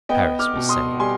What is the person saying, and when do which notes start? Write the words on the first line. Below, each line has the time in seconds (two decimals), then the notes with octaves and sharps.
Paris was saved.
0.09 B3 D#5 G5
0.39 D6 F6
0.55 B2
0.69 C6 D#6
0.99 G3 G#5 C6